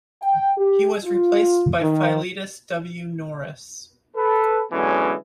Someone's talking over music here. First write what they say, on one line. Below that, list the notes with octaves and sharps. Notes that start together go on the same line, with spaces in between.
He was replaced by Philetus W. Norris.
G5
G4
F4
D#3
A4 B4
B2 D3 E3 F#3 G#3 C#4